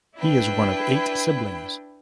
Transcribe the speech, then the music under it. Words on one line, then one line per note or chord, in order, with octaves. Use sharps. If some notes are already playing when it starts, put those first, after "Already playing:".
He is one of eight siblings.
D4 E4 B4 G5